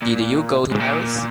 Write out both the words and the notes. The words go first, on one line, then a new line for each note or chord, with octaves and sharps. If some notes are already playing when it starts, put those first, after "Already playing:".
Did you go to Paris?
A#2
G#2
A#2